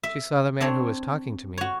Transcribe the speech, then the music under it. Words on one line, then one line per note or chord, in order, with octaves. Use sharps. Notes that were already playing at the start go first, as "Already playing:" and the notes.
She saw the man who was talking to me.
E5
C4 D4 C#5
F#4 C#5